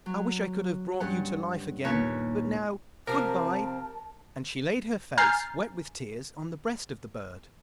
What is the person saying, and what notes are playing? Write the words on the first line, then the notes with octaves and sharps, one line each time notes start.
'I wish I could have brought you to life again; but now, good-bye!' And she laid her face, wet with tears, on the breast of the bird.
F#3
G2 C#4 F#5
D#2 A#2 B3 B4 C#5
C3 F3 C4 A#4 A5
G#5 A#5 F6 G6 A6 C7